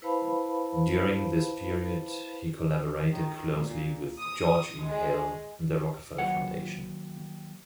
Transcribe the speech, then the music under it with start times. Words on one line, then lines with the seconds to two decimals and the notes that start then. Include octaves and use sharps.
During this period he collaborated closely with George E. Hale and the Rockefeller Foundation.
0.02 E4 B4 C5 F5 A5 B5
3.11 D#3
3.56 A#2
4.18 D#6
4.87 G#3
6.18 D#2 F#3 F#5